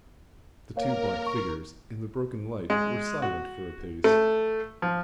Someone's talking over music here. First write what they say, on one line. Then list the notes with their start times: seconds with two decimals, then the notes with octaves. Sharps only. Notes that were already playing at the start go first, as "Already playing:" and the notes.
The two black figures in the broken light were silent for a space.
0.77 A#3 A#4 C#5 F5
1.27 C#6
2.70 G#3
3.22 F#4
4.04 A3
4.82 F3